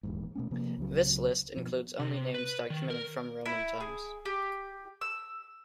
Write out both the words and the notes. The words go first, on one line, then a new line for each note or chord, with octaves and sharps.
This list includes only names documented from Roman times.
D#1 E2 G#2
B2 A3 C#4
C3 F3 A#3
C#2 C#3 F#3
B2 F3
C3
B4
D#3
A#4
E4
G#4
G4
E6